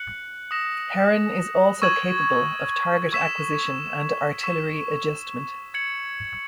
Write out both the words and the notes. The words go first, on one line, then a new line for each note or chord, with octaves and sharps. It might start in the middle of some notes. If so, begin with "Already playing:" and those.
Heron is also capable of target acquisition and artillery adjustment.
Already playing: F#6 C#7 F#7
D#6 A#6 E7
C#6 E6 G#6 D#7 F#7
C#6 E6 B6 E7
C#6 E6 B6 E7
G#6 C#7 F#7